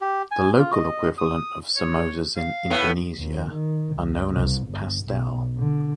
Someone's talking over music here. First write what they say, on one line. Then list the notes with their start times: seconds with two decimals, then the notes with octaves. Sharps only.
The local equivalent of samosas in Indonesia are known as "pastel".
0.01 G4
0.31 G#5
0.58 F4
0.73 D#5
1.18 D#6
1.76 C#5
2.36 F5
2.70 A2 B3
3.17 D#2
3.52 D#3
3.96 C#2
4.33 C2
4.68 G1
5.05 B1
5.58 D3